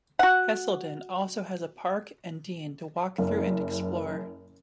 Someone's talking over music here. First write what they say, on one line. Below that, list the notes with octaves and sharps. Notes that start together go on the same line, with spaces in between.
Hesleden also has a park and Dene to walk through and explore.
F#4 F#5
F#1